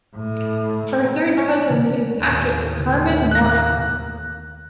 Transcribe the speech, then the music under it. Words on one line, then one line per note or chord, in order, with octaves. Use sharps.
Her third cousin is actress Carmen Maura.
A2
C#4
D#2 A2
F#6 A#6